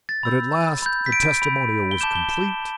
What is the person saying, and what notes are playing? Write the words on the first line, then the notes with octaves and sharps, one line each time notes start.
But at last the "testimonial" was complete.
A6
B5 E6 G6
B5 G6
B6
D7
B5 G6
G7
A5 D6 G6 E7
G7
E7
B5 G6